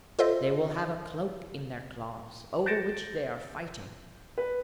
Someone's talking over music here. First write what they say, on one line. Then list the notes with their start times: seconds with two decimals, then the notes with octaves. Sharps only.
They will have a cloak in their claws, over which they are fighting.
0.19 F4 A4 C5 D#5 E5
2.66 G6 A6 A#6 C#7 D7 E7
4.38 B4